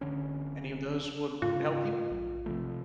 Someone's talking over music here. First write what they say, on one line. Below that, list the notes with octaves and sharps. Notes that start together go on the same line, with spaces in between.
any of those would would help you?
D1 D3 C#4
G#2 C#3 F4
A#1
C3 F3 A3